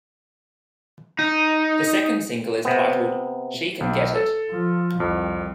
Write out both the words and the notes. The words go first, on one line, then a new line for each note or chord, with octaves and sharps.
The second single is titled "She Can Get It".
D#4
C3 B3
B1
A4
F3
C2 F2